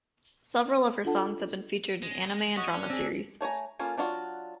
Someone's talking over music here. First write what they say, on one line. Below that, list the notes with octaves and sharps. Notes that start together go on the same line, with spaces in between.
Several of her songs have been featured in anime and drama series.
D4 F4 A4 F#5 A5
G#3
C#4 F#4 D#5
D4
C4 G#4
A3 C#5 G#5 A#5
A#3 C#4 F4 A4
F#3 D4 F4 F#4